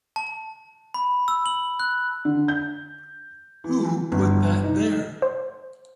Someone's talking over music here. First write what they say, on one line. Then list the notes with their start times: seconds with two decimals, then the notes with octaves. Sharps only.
Who put that there?
0.16 A5
0.94 B5
1.28 E6
1.46 F#7
1.80 F#6
2.25 D3
2.48 G6
3.64 E3
4.12 G1
4.64 D#4
5.22 C5